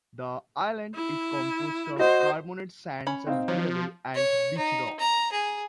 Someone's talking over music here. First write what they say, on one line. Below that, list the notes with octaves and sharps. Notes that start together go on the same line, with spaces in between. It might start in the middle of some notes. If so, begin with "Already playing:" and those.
The island is composed of carbonate sands and gravel, and beach-rock.
E4
F#4 C5 D#5
C#4 B5
C4 D#4 F5
F3 F#3
C#5
D#4
A#5
G#4